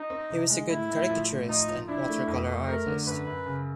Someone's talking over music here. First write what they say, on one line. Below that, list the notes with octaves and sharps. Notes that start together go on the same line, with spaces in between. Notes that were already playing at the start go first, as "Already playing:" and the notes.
He was a good caricaturist and watercolour artist.
Already playing: D#4
C4
C3
G#3
A2 E4
A2
F3
A2
F3 D#4
F3
D4 E4
A3
F2
A3
A3 A#4
D3
F#2 B4
F#2
C#3